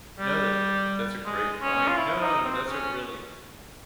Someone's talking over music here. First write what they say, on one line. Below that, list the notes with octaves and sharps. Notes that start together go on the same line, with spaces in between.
No, that's that's a great point. No, no, no, that's a really
G3
G#3
C#4
F4
E4
D#4
C4
C#4